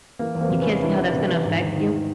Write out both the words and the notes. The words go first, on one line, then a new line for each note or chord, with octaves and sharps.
you can't see how that's gonna affect you?
E3 A#3
E2
A#3 C4
C3
B3 C#4
E2
E3 D4 E4
E2
C3
E2
G#2
D#3
D#3